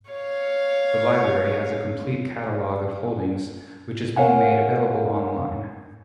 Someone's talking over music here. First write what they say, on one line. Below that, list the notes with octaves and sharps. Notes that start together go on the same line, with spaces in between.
The library has a complete catalogue of holdings, which is being made available online.
C#5 F5
A#4 C#5 F5 F#5 G#5